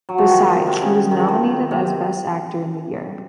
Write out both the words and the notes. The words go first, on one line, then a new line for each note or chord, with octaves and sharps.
Besides, he was nominated as Best actor in the year.
F#3
F3
D#3
F3
D#3
C3
C#3
D#3
F3
D#3
C3